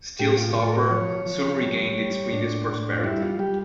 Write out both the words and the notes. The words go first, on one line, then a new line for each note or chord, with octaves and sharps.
Steal Stopper soon regained its previous prosperity.
A2 G4
F4
A2 F4
A4
A#4
F3 C#5
F3
G3
G3
A2 D4
A2
F4
G3 E4
F4
G3 G4